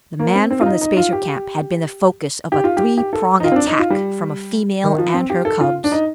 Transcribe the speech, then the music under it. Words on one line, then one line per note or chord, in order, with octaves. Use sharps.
The man from the spacer camp had been the focus of a three-prong attack from a female and her cubs.
A#3
C4
C4
F4
D#4
D#4
F4
G4
G4
F4
G4
G4
A4
D#4
F4
C4
D4
D#4
F4
G3
D#3
F3
C4
G4
A4
F4
D4
D#4